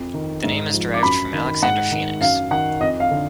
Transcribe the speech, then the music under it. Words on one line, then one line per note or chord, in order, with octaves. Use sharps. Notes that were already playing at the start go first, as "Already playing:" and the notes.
The name is derived from Alexander Phoenix.
Already playing: F2
D#3
G#2
F3
D6
F#2 B5
D#3
G#2 F#5
D#3
F#2 F5
D#3 F#5
F2 D#5
F5
D3